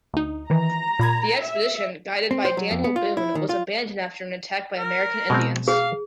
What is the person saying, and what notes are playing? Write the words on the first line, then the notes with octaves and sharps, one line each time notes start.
The expedition, guided by Daniel Boone, was abandoned after an attack by American Indians.
D2 D#4
D#3 E3 A#5
A#2 B5 G#6
E5
C4
C5
F#3
F2
B3
F4
E4
D#3
F4
A#4
B2 G#3 C4
G#4 F5